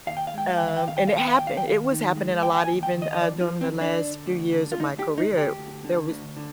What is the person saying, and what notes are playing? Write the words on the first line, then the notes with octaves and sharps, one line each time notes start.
Um, and it happen it was happening a lot even, uh, during the last few years of my career. There was
D#2 F5
G5
F5
G#3 G5
F5
D#3 G5
F5
G5
D#3 F5
G5
D#3 F5
G5
F5
D#2 G5
F5
G5
D#3 F5
D#3
G#3
D#2 G5
G5
G#5
D#2
G5
D#3
D#5
D#5
F3 D5
F4
F3
C4
D3
D4
D3
D2
D3
F4
D2 D#4
G4
D2
D#4
D2
G4
D2
D3
D2
D3